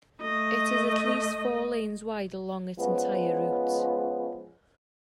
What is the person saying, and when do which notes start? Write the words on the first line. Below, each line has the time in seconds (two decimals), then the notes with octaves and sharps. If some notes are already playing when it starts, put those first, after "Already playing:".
It is at least four lanes wide along its entire route.
0.21 A3 D#5
2.79 F3 G#3 B3 C#4